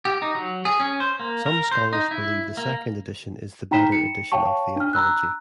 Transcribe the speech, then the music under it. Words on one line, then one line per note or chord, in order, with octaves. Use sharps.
Some scholars believe the second edition is the better edition of the Apology.
G4
D#4
F#3
G#4
C#4
C5
A#3
A#4
C5
D#4
E4
A#3
D#4 G5 A#5 B5 B6 E7
C#7
C#5 F5 G5 A5 C#6
D4 F6
A#5 B5 E6 F#6